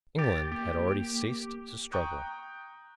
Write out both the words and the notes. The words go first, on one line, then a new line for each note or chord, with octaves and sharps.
England had already ceased to struggle.
G4 A6
A#3 G4
G5 A#5 C#6 D#6 F#6 G6